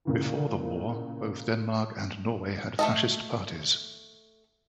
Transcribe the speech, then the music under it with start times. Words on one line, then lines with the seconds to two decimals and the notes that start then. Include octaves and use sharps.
Before the war, both Denmark and Norway had fascist parties.
0.05 A#2 C#3 E3
2.79 A3 A4 D#5